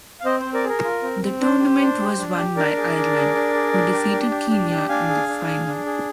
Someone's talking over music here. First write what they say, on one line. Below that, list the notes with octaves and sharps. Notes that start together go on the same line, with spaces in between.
The tournament was won by Ireland who defeated Kenya in the final.
F5
C4 C5 D#5
C4 C5
A#4 D5
G#4
A#4
F4
C4
C4
D4 C5
G4
D4
G4
D4
G4
D4 A#4 D5
G#4
D4
G#4
D4
G#4
D4
G4
D4
G4
D4
G4
D4 F5 G#5
G#4
D4
G#4
D4
G#4